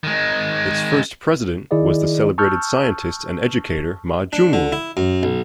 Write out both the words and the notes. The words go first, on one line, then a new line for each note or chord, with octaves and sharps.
Its first president was the celebrated scientist and educator Ma Junwu.
D#3 G#3
D#3 E4 G#4 D5 D#5
A5 C#6 E6 F6 G6
D4
D3
E4
F#2
B1